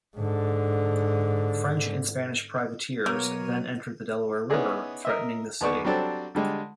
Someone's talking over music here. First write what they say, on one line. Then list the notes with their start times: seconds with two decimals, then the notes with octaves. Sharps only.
French and Spanish privateers then entered the Delaware River, threatening the city.
0.17 G#2 D3
3.06 B2 F#3 A#3 B3 A#4 C#5 D#7
4.50 B3 C#4 D#4 E4 G#4 D5
5.05 A#4 D#5 E5
5.61 D#2 B3 D5 C#6
5.85 F#3 G3 C4 D4 A4
6.35 D3 G3 G#3